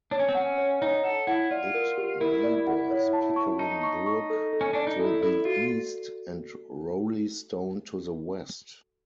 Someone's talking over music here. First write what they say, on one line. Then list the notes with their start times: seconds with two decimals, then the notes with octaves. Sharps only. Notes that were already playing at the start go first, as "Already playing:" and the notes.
It neighbours Pickering Brook to the east and Roleystone to the west.
0.11 D4 C#5
0.19 C#4
0.29 C4
0.35 C#4 F#5
0.58 C#5
0.81 D#4 C#5
1.04 A4 F#5
1.27 E4 F#5
1.51 F4 D5
1.74 A#4
1.98 G4
2.20 E4 A#4
2.44 D5
2.67 F#5
2.90 C#5
3.13 A5
3.36 C#6
3.59 D#4 A5
3.83 C#6
4.06 C#6
4.30 A4
4.53 A4
4.61 C#4
4.73 D4 D5
4.87 D#4
4.99 E4 A4
5.23 E4 A4
5.45 F4 F#4